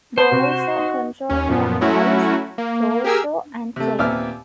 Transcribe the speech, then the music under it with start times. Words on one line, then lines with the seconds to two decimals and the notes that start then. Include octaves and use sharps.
They also control her eyes, torso, and tail.
0.18 B3 C5 A5
0.32 C3 F#4
0.76 D#4
1.29 D#2 C#4
1.48 F#2 A#2 F3 B3
1.81 F#3 A3 C#4 E4 F#4
2.58 A#3
3.04 G4 G#4 A#4 G#5 E6
3.76 C3 A3
3.98 D#2 A#2 B3 C4 E5 F6